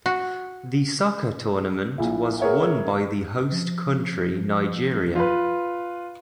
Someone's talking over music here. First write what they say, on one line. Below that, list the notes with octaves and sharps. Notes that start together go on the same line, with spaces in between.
The soccer tournament was won by the host country Nigeria.
F#4
A#1 A#2 E4
G#4 A#4 B4 C#5 E5 F#5
F3
F4 B4